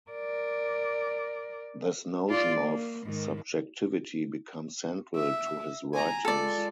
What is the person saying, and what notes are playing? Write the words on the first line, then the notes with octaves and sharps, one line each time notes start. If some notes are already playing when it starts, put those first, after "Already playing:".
This notion of subjectivity becomes central to his writings.
A#4 D5
F4 D5
A#3
G#2 D#3
E5
G#5 A#5
G#3 F4 A4 D5